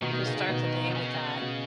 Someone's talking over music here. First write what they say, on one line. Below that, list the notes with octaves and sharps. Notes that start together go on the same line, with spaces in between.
to start the day with that,
B2 D#3
B2
C#3
C#3
B2
C#3
B2